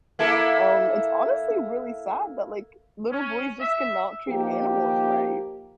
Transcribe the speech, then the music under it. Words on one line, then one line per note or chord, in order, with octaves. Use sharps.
Um, it's honestly really sad that, like, little boys just cannot treat animals right.
A#3 E4 A4
C#4
E5
F3 A#3 D#4 G4